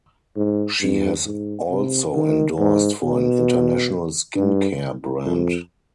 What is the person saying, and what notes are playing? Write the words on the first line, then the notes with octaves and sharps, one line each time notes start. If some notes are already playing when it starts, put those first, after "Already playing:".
She has also endorsed for an international skin care brand.
G#2
G2
G#2
C3
D#3
G#2
B2
G2
F2